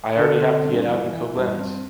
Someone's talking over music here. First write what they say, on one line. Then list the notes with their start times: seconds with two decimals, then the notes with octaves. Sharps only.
I already have to get out in Koblenz.
0.17 D3 A4
0.41 C4
0.65 G2
0.88 E3
1.12 E3
1.35 G2
1.59 C4